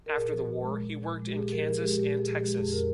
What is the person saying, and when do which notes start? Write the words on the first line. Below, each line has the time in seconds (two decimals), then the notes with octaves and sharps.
After the war, he worked in Kansas and Texas.
0.06 A#4
0.16 A#2 G#4
0.32 F3
0.46 A#2
0.61 G#3
0.77 A#2
0.92 F3
1.07 A#2
1.22 G#3
1.31 G4
1.36 A#2 G#4
1.52 F3 A#4
1.67 A#2 G#4
1.82 G#3 G4
1.97 A#2 G4
2.12 F3
2.17 G#4
2.28 A#2
2.37 G#3 G4
2.57 F2 G#4
2.72 C#3 A#4